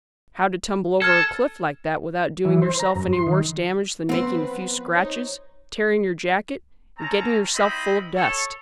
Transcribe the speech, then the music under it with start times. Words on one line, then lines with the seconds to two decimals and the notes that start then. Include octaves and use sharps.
"How to tumble over a cliff like that without doing yourself any worse damage than making a few scratches, tearing your jacket, and getting yourself full of dust."
1.02 A4 F6 G#6
2.45 E3
2.62 C5
2.79 A#5
2.95 F#2
3.13 C6
3.27 D#3
4.09 F3 B3 C4 B4 C5
4.94 D#4 C#5
6.99 C4 C#4 A5 A#5
7.55 C4 E4 F4 C5 D#5 B5
8.16 A4 C#5